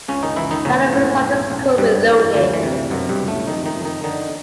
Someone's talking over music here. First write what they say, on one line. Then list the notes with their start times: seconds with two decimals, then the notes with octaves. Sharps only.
The alluring result is cool, reloaded.
0.08 C#2 C#3 C#4
0.23 D#3 D#4
0.36 C#2 E3 E4
0.51 D#3 D#4
0.65 A#1 C#3 C#4
0.93 A2
1.22 B1
1.50 B1
1.78 G2 B2 G3
2.07 E2
2.34 D2 F3
2.54 E3
2.63 C3
2.73 E3
2.90 F#2 B2 F#3
3.09 G2 G3
3.19 C#2
3.28 A2 A3
3.47 F2 D#3 D#4
3.66 D#3 D#4
3.75 F2
3.85 D#3 D#4
4.04 D3 D#3 D#4